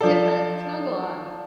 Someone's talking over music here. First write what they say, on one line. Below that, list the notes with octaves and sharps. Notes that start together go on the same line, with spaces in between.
get that snuggle on.
F3 D4 A4